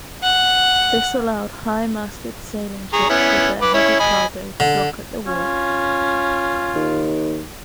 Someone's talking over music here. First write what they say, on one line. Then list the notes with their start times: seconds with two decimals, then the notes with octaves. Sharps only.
This allowed high-masted sailing ships with their heavy cargo to dock at the wharf.
0.23 F#5
2.93 G#4 A#5 C#6
3.10 B3 C#4 E4
3.62 B4 D6
3.74 C#4 E4 C#5
4.00 D#5 G#5 B5
4.60 D3
5.27 C#4 F4
6.75 D#2